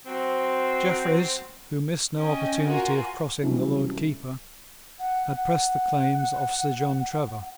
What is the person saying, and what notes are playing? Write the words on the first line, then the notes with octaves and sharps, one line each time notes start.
Jeffreys, who missed no opportunity of crossing the Lord Keeper, had pressed the claims of Sir John Trevor.
F#3 C4
C#4 D#5 G5
F4 F#4 A#4 G#5 A#5
C3 E3 F#3 G3 A3 C#4
F#5
F#5